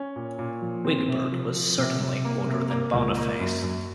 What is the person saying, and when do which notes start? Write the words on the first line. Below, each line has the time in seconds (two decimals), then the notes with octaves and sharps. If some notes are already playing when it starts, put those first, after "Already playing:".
Wigbert was certainly older than Boniface.
Already playing: C#4
0.16 A#2
0.39 A#2
0.62 F3
0.85 C4
1.08 C3
1.32 F3
1.55 F3
1.78 C3
2.01 C3
2.25 A#3
2.47 C3
2.70 A#3
2.93 C#2
3.17 A#3
3.40 F#2
3.62 F#2